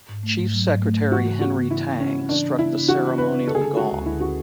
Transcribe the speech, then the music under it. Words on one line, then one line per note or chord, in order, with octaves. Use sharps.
Chief Secretary Henry Tang struck the ceremonial gong.
G#2
A3
G#2
F#3
G#2
A3
G#2
E3 F#4
C#3
B3 F#4
C#3
E3 E4
C#3
B3 C#4
C#3
E3 D4
C#3
B3 E4
C#3
E3 F#4
C#3
B3 B4
C#3
D3 A4
G#4
C#4 A4
G#3 F#4
D2
D3 E4
C#4 F#4